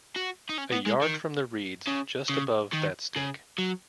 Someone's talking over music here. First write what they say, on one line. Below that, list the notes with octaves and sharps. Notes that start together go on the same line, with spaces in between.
A yard from the reeds just above that stick.
F#4
D#4
C#4
B3
G#3
D#3
C#3
C#3
D#3
C#3
F#3